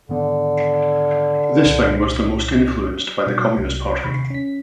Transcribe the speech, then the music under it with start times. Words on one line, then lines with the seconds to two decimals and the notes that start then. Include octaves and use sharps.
This wing was the most influenced by the Communist Party.
0.09 G#2 D3 D#3 B3
1.65 C2 A#2
3.26 B2 G3 F#4
3.57 C2
4.04 D#2 C3 B5 C#6
4.30 C#4 B6